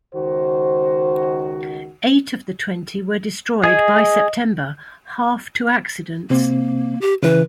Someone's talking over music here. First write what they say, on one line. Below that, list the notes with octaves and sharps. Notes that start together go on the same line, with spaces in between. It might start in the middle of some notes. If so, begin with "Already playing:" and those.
Eight of the twenty were destroyed by September, half to accidents.
C#2 D#3 F#4 C5
G#4 D#5 G#5
C3 A#3 C4
G4
C#3 E3 B4